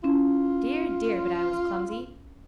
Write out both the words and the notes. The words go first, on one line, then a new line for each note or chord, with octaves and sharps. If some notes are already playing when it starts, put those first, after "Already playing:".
Dear, dear, but I was clumsy!
C#4 E4 F4